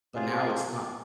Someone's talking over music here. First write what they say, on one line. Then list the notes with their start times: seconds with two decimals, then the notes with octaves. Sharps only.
but now it's not
0.15 C3 F4 G#4
0.35 F4 G#4